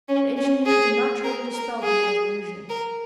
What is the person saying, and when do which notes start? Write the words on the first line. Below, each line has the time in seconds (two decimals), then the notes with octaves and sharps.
The engineer did not try to dispel the man's illusion.
0.09 C#4
0.37 C#4
0.66 G#4
1.24 A#4
1.53 A#4
1.83 G#4
2.69 A#4